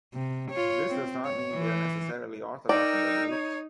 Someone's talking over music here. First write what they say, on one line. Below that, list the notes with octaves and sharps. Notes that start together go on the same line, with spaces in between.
This does not mean they are necessarily orthodox in their beliefs.
C3
F4 C#5
C4
C#5
E3
D#4 A#4 D5 G5 E6
C#5